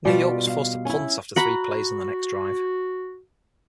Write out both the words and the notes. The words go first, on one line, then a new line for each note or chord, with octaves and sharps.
New York was forced to punt after three plays on their next drive.
B2 G3 F4 D5
F5
C#4 E4
F#4 F#5 A#5 B5